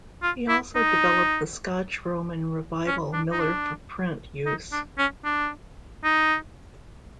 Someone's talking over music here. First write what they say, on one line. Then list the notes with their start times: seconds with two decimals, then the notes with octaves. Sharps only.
He also developed the Scotch Roman revival Miller for print use.
0.23 F4
0.49 E4
0.76 D#4
2.87 C#4
3.13 D4
3.32 D#4
3.40 D4
4.46 D#4
4.72 D4
4.98 C#4
5.25 D4
6.04 D#4